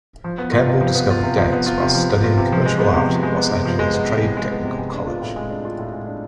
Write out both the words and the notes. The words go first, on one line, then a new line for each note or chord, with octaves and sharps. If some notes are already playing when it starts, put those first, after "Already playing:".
Campbell discovered dance while studying commercial art at Los Angeles Trade-Technical College.
F3
B3
F4
C3
F3
B3
F4
C3
F3
B3
F4
C3
F3
B3
F4
C3
F3
G#3
B3
C3
F3
G#3
B3
C3
F3
G#3
B3
C3
F3
G#3
B3
C3
G#3
D4
F4
A2
G#3
D4
F4
A2
G#3
D4